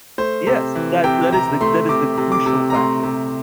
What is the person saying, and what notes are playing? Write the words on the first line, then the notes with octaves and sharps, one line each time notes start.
Yes. That that is the that is the crucial factor.
A3 C5
C3
E3
C3 G5
C3 A#5
A3 C6
C3 D6
C3
D6
C3
A#5
A3 C6
C3